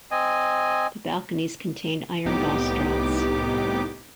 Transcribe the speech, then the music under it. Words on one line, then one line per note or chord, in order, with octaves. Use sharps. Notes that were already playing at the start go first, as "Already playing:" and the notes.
The balconies contained iron balustrades.
C4 D#5 G#5
C2 A2 B3 D#4 G4 D6